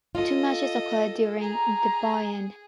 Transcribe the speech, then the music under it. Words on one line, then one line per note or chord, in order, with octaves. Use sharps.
Two matches occurred during the Buy In.
F4 A4 D#5
G#4 A#5